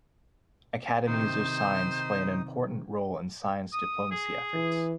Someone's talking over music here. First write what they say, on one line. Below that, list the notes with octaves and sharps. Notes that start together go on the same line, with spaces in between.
Academies of science play an important role in science diplomacy efforts.
C3 D#3 D#4 C5 D#6
D#6
G#4
E3